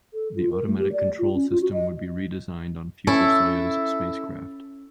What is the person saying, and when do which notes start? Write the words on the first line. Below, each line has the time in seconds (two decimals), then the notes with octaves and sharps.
The automatic control system would be redesigned on future Soyuz spacecraft.
0.14 A4
0.36 F4
0.52 A#4
0.66 A3
0.79 G4
0.93 D5
1.19 F4
1.35 C#4
1.50 F4
1.62 F#4
1.73 D#5
3.07 C#4 E4 A4